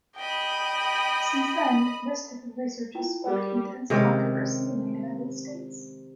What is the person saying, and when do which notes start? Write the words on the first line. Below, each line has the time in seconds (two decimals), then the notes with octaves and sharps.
Since then, this type of research has sparked intense controversy in the United States.
0.17 D#5 G5 B5 D#6
2.95 E4 F4 G5
3.27 G3 G#4 A#4
3.90 C3 D#3 G#3 C#4